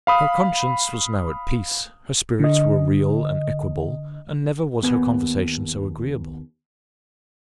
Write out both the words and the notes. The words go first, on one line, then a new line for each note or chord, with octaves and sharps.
Her conscience was now at peace; her spirits were real and equable, and never was her conversation so agreeable.
F5 B5 D#6
D3 D#5
D#2 B3 G#5